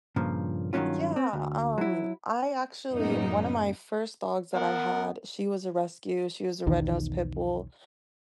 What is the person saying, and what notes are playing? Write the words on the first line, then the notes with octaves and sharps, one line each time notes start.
Yeah, um, I actually one of my first dogs that I had, she was a rescue, she was a red nosed pit bull,
G2 A#2 C#3 F3
G2 D#3 E3 F#3 C#4 F4
C4
D2
F#3 E4
F#2 A2 C#3 A#3 B3 D#4
B3 A#4 F#5
B1 E2 D#3